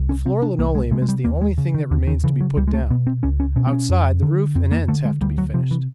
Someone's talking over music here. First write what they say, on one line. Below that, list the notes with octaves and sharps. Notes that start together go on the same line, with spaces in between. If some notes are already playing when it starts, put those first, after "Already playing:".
The floor linoleum is the only thing that remains to be put down; outside, the roof and ends have to be finished.
Already playing: C2
C#4
C3 C4
D4
C2 A#3
G#3
C3 G#3
G#3
G3
D#2 A#3
G#3
C#3
D#3
D#2 D3
D#3
C#3 E3
F#3
C#2 G3
G#3
A3
B2 B3
C4
C#2 C#4
C#4
B2 C#4
C4
C#4
F2
D3
F2 C4
A#3
D3 A3
G#3
D2 G3
F#3
C3 F3
E3